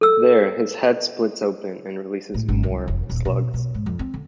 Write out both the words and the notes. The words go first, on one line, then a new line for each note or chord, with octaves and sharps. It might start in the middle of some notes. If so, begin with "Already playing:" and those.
There, his head splits open and releases more of the slugs.
A4 E6
A2
G#1
C2
F1
D#1
B2
B2
G#2
F2
C4
D3